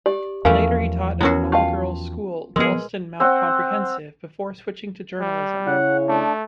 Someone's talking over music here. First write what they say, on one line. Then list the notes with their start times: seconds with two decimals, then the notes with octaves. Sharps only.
Later he taught at an all-girls school Dalston Mount Comprehensive, before switching to journalism.
0.06 G4 D5
0.45 E2 E3 F3 A3 C#4 A#4 F5
1.21 B3 C#4 E4 F#4 A#4
1.52 F4 F5 G5 A5 C#6
2.56 F3 G#3 B3 G#4 A#4 B4
3.20 C4 F#5
5.20 G3
5.67 C#3 E4 C#5 F#5
6.08 A3 D4